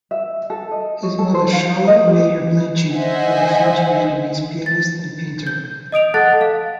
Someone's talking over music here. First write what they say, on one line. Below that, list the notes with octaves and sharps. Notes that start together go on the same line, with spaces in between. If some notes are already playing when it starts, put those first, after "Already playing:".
His mother, Charlotte Mayer-Blanchy, was a French-Vietnamese pianist and painter.
E5
A4
D#5
C#5
A4
C5
F5
D#5
G4
C5 D#5 E5 F#5 G#5
A6
G6
D#5 D#6 D7 F7
A4 F#5 A5 F#6 A6
F5